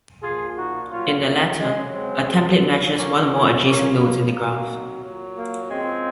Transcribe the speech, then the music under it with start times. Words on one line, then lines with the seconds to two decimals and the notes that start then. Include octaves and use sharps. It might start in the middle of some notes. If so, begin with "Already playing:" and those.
In the latter, a template matches one or more adjacent nodes in the graph.
0.23 A#2 F3 F4 G#4
0.57 D#4 F#4
0.91 A#2 F#3 C#4 F4
1.25 A#3
1.60 C#3 F#3 G#3
1.94 G#3 C4
2.28 A#2 F#3
2.97 C3 F3 A#3 C#4
3.31 A#3 C#4
3.66 C#3 F3 A#3 C#4
4.00 A#3
4.34 C3 D#3 F#3 A#3
5.03 A#2 F#3
5.37 A#3
5.71 C#3 F3 G#3 C4